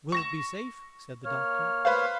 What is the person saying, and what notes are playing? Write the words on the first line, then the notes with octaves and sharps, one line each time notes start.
"Will it be safe?" said the doctor.
C#6 A#6 E7
A#3 C#5 F6
B4 C5 F5